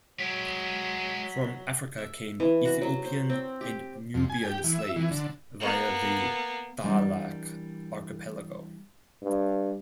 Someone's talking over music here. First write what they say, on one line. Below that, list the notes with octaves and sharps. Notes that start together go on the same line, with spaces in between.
From Africa came Ethiopian and Nubian slaves via the Dahlak Archipelago.
F#3 G#3 G4 B6
E5
E3
F#4
F#3
C5
C4
G4
F2
G#5
G4
E3
E5
E3
D3
A#3 B3
E3 G3 A#3 D4
G2